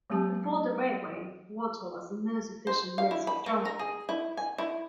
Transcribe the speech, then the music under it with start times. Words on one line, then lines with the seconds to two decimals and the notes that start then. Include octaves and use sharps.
Before the railway, water was the most efficient means of transport.
0.10 F#3 G#3 A#3 C4 G4 A5
2.67 C5
2.98 F5
3.11 E4
3.27 B5
3.46 A#3
3.65 A#5
3.79 G#4
4.09 E4
4.37 G#5
4.58 E4